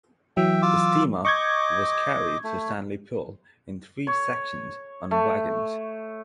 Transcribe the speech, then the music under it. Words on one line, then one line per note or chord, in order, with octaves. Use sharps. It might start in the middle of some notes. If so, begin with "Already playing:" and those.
The steamer was carried to Stanley Pool in three sections on wagons.
E3 F#3 E5 G5
F4 D6 E6
D#5 C#6 D6 G6 G#6
A3
C#5
A3